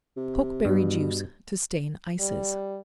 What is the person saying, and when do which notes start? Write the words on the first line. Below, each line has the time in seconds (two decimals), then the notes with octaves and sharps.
Pokeberry Juice to Stain Ices.
0.17 C3
0.65 G2 B2
2.20 G3